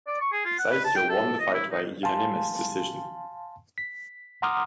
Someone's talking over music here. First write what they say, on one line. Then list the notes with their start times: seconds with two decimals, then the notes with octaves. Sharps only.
Saikyo won the fight by unanimous decision.
0.07 D5
0.20 C#6
0.32 G#4
0.45 F4
0.59 F#5
0.72 B4
0.85 A5
0.96 G5
1.09 A4
1.40 D#5
1.54 E4
1.71 D#4
2.03 F5 G#5 A5 C6
3.78 B6
4.42 F#5 A#5 C6 D6 D#6 F6